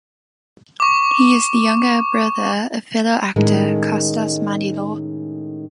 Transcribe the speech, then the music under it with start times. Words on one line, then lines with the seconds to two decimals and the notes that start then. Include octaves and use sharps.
He is the younger brother of fellow actor Costas Mandylor.
0.80 C#6 D6
3.36 A2 D#3 G#3 C#4